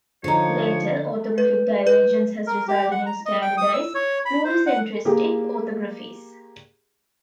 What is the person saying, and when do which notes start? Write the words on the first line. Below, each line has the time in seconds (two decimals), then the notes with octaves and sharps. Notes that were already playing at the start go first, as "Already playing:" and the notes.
Later orthographic divergence has resulted in standardised pluricentristic orthographies.
0.24 D3 F3 D#4 C5 C#5 A#5
1.38 B4
1.87 B4
2.47 A#4
2.68 G4
2.91 F#5
3.06 A#5
3.26 D#5
3.42 G5
3.57 D#6
3.73 E6
3.94 C#5
4.25 B5
4.44 C5
4.66 F#5
5.05 A#3 G4 G#4